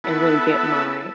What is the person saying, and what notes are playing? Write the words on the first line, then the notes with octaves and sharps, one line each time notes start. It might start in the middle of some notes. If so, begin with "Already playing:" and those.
and really get my
B3 E4 A4